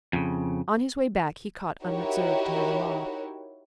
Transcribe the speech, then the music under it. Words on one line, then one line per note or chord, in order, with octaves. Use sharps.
On his way back he caught unobserved another moth.
F2 C#3
D#4 E4 F#4 G4 A#4 C#5